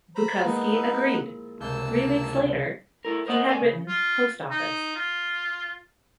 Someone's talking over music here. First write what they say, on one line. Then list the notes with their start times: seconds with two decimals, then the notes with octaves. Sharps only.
Bukowski agreed; three weeks later, he had written "Post Office".
0.15 C5 A#5 B5
0.43 A#2 G#3 B3 D#4 B4
0.71 F3 E4
1.61 C#2 C3 A#3 A5 E6 G6
3.05 A3 E4 A#4
3.26 A#4 C5 D#5 F5 F#5
3.46 C4 D5 F5 G#5
3.61 C#3
3.88 F4
4.51 D#4
4.96 F4